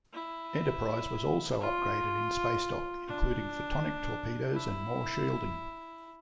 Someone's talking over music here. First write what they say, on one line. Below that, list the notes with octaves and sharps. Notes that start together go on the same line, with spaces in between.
Enterprise was also upgraded in space dock, including "photonic" torpedoes and more shielding.
E4
F4
D4
E4